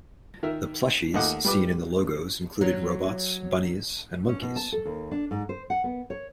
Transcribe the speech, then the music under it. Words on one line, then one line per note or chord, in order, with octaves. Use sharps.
The plushies seen in the logos included robots, bunnies, and monkeys.
D#3 A#4 E5
D#2 A3 D#5 F#5 D6 D#6
G3 B4 D6
F#3 C#5
C#4
B2
A5
A4
D#2
D4
G#2
C5
F#5
B3
C#5